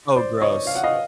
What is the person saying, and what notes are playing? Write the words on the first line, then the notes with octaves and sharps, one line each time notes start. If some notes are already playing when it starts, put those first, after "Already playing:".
Oh, gross.
C5 D5
C#5 D#5
F5
F#5
D#5 F5